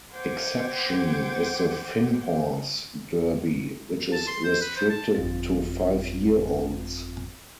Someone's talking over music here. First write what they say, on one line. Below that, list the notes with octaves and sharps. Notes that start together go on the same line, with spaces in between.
Exception is the Finnhorse Derby, which is restricted to five-year-olds.
C5 F#5 G5 D6 G#6
A5
C6
C5
B4
C5
A5
G1 F2 C4 F4 A6